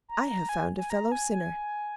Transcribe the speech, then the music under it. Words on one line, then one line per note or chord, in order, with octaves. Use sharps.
"I have found a fellow-sinner."
A#5
A#5
G#5
G#5
A#5
G#5
G#5